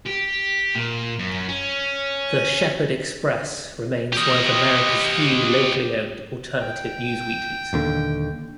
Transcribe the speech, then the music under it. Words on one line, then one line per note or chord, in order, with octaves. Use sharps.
The "Shepherd Express" remains one of America's few locally owned alternative newsweeklies.
G4
A#2
F#2
C#4
G4 D#5
G5
D#1 D#2 D3